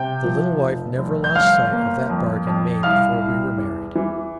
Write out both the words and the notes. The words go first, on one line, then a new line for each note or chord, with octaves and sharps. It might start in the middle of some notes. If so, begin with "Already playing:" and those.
The little wife never lost sight of that bargain made before we were married.
Already playing: C3 G5 G6
F3
F1
F1
G6
G1 F5 F6
A#3
F2
F2
C2 F5 F6
C2
E2
E3